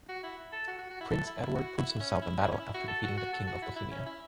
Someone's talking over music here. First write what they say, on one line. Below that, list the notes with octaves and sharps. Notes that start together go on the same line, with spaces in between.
Prince Edward proves himself in battle after defeating the king of Bohemia.
F#4
E4
A4
F#4
F#4
F#4
E4
A4
E4
E4
F#4
E4
C#4
E4
C#4
E4
C#4
E4
F#4
A4
F#4
F#4
A4
F#4
E4
E4
C#4
E4